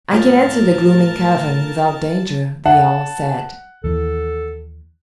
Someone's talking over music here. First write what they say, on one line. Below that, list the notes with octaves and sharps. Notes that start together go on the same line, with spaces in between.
"I can enter the gloomy cavern without danger," the owl said.
A2 F3 A#4 A5
F#5 A5
D#2 E3 A4